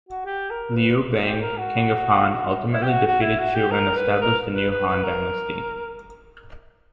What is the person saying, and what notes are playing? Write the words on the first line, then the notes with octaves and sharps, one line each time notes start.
Liu Bang, king of Han, ultimately defeated Chu and established the new Han dynasty.
F#4
G4
A#4
B4
G4
A#4
F#4
E4
G4
F#4
F#4
E4
F#4
G4
A#4
B4
A#4
B4
B4
B4
A#4